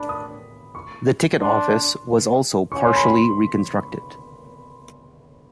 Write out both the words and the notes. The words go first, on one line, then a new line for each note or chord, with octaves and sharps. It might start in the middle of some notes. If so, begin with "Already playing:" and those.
The ticket office was also partially reconstructed.
Already playing: D4 B5
D#6
C#6
D4 C6
C#4 C#6
C6
B5
C6